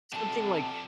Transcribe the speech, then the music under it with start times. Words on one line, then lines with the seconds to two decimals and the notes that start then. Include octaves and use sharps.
something, like,
0.13 C3 F3 D4 A4 A5